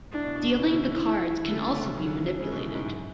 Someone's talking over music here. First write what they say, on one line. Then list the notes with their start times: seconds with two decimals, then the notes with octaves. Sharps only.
Dealing the cards can also be manipulated.
0.12 A2 D4
0.24 B2
0.35 B2
0.47 B2
0.58 C#3 E4
0.69 D3
0.81 E3
1.04 E4
1.45 D3
1.49 C#3 A3
1.61 C#3
1.72 C#3
1.83 B2
1.95 C#3 F#3
2.06 D3
2.17 E3
2.29 D3
2.40 C#3 G#3
2.52 B2
2.63 A2
2.75 G#2
2.86 F#2